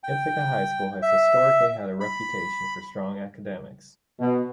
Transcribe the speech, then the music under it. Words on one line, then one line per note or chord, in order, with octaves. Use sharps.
Ithaca High School has historically had a reputation for strong academics.
G5
E5
B5
B2